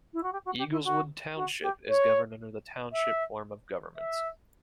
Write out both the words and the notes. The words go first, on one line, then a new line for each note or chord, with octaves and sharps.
Eagleswood Township is governed under the Township form of government.
E4
F#4
G4
F#4
G4
E4
F#4
F#4
G4
C#5
E5
E5